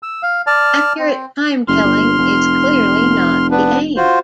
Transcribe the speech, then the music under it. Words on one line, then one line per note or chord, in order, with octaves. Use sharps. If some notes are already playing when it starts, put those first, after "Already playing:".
Accurate timetelling is clearly not the aim.
E6
F5
D5 A5 F6
C4
F#1 C6 F6
G1
F1
B3 D4 B4
F4 F#4 C5